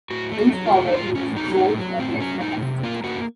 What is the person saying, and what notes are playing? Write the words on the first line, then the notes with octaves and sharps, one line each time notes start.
Henceforward he was more or less a husk.
A2 F#4
A3
F#4
F#3
F4
A3
D#4
A2 F4
A2 C#4
F#3 D#4
A2 D#4
F#3
A2 C4
F#3 C#4
A2 D#4
C3
A#3 F4
A#3 F#4